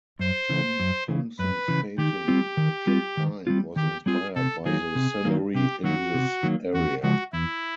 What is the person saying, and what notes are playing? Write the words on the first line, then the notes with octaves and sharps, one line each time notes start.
Tom Thomson's painting, "The Jack Pine", was inspired by the scenery in this area.
F#2 C5
C#3 E3
F#2
C#3 E3
F#2 B4
C#3 E3
D#3 G4
G3 C4 F4
D#3
G3 C4 F4
D#3
G3 C4 F4
D#3 G4
G3 C4 F4 G#4
C3 A4
D#3 F#3 A#3 G#4
C3
D#3 F#3 A#3
C3 G4
D#3 F#3 A#3 F#4
C3
D#3 F#3 A#3
E2 F#4
C#3 F3 G#3 F#4
E2 E4